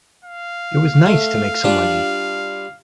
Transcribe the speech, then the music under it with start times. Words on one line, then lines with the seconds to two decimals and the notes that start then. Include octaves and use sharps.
It was nice to make some money.
0.24 F5
1.06 A3
1.64 G3 D4 F4